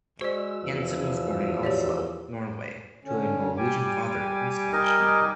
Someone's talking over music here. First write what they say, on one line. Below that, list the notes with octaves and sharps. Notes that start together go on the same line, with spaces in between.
Hansen was born in Oslo, Norway to a Norwegian father and Scottish mother.
G#3 F#4 C5 D5 E6
E2 F3
G4 C#5 D5
D3 C#4
G3 G4 G#5 D6
D#4 A#4 D#5